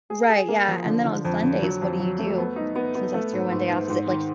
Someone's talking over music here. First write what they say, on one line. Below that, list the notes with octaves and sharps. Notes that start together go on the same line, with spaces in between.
Right. Yeah. And then on Sundays, what do you do since that's your one day off? Is it, like,
G#4
G#4
A#3
F3
D3
D3
F2
D3
F#3
F2
F#3
A3
B3
D#4
B3
B3
A3
G#2
G#2
G#2
G#2
D#3